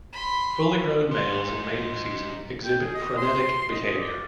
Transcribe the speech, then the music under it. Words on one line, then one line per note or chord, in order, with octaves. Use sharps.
Fully grown males in mating season exhibit frenetic behaviour.
B5 C6
D#4 C5
G5
G#4
D#5
C6
D#5
D5